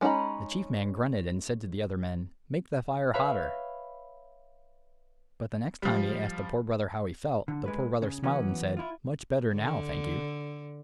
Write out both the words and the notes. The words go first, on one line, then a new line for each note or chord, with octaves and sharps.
The Chief Man grunted and said to the other men, "Make the fire hotter." But the next time he asked the Poor Brother how he felt, the Poor Brother smiled and said, "Much better now, thank you."
G#3 C#4 D#4 A#5 B5
B4 C#5 E5 F5 B5 F6
F3 G3
D3
G#3 B4
C#3
E3 F#3 B3 C#4
E4 F4
D3